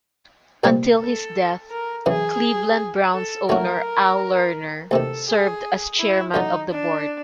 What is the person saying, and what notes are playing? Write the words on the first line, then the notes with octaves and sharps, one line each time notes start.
Until his death, Cleveland Browns owner Al Lerner served as Chairman of the Board.
C2 A#2 G3 C4 F4
A4
A#4
F#2 C#3 E3 G#4
A4
D#3 F#3 A3 C#4 F#4 A#4
D2 C3 D#3 A4
G#4
E4
F#2 D3 F#3 D#4
D4